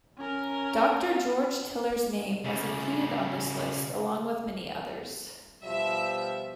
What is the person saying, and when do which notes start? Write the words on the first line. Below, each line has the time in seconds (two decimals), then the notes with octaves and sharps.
Doctor George Tiller's name was included on this list along with many others.
0.18 C#4 A#4
2.44 C#3 A3
5.64 B2 F3 G3 E5